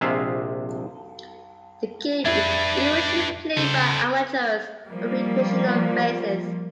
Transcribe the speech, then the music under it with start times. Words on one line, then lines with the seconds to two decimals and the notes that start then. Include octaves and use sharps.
The game is usually played by amateurs on a recreational basis.
0.01 A#1 C3 G#3 G#4 E5 F5
2.25 F2 D4 B4 E5 G#6
3.57 C#3 A4 C5
4.86 F3 G3 A#3